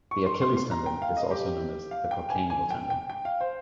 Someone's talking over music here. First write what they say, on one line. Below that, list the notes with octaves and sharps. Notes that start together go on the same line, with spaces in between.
The Achilles tendon is also known as the calcaneal tendon.
C#6
C6
C6
C6
A#5
G5
F5
D#5
G4
F5
G5
G#5
G#5
G5
G5
G5
F5
C5